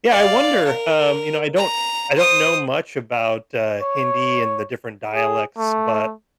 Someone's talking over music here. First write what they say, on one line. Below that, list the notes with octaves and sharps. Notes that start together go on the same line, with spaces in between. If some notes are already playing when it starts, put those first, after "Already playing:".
Yeah, I wonder, um, you know, I don't I don't know much about, uh, Hindi and the different dialects, but,
D5 F5
A#4
A#5
C5 D#6
C#5
G#4
A3